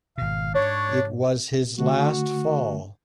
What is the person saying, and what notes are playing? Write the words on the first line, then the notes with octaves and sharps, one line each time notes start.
It was his last fall.
G#1 B2 F5
G#2 D4 C#5
D3 A3 F#4